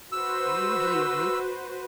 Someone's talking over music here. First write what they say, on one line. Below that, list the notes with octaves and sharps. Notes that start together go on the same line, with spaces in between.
"You heerd me!"
F#4 B4 C5 E6